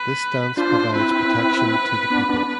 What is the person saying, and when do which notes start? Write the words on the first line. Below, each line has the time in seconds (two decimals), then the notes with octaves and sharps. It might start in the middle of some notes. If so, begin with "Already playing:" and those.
This dance provides protection to the people.
Already playing: B4
0.57 D4 F4 C5
0.95 C4 E4 B4
2.10 B3 D4
2.29 B3 D4